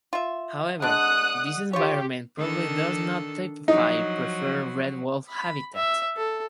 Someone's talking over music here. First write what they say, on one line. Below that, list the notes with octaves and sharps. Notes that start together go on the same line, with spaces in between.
However, this environment probably does not typify preferred red wolf habitat.
F4 E5
G#3 D4 F#5 D#6 F#6
F4 G4 C#5
D#3 D4 A4
F3 F#3 D#4
B5
E5
A4